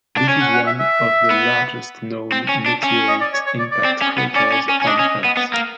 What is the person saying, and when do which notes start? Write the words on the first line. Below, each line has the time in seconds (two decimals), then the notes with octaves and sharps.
This is one of the largest-known meteorite impact craters on Earth.
0.17 D4
0.29 C#4 C#5
0.41 F#5
0.54 F#5
0.67 E5
0.80 E5
1.31 B3
2.32 C4
2.49 C#4
2.66 D4
2.83 C#4
3.08 D#5
3.21 D5
3.34 C#5
3.46 C#5
3.59 D5
3.72 D5
3.85 C4
4.02 C#4
4.18 B3
4.36 C#4 D5
4.52 C#4
4.69 C#4
4.82 C#4
4.86 D4 D#5
4.99 C#4
5.25 B3
5.37 B3
5.54 A#3